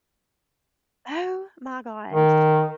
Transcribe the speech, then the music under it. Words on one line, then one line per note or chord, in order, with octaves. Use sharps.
Oh my gosh.
D#3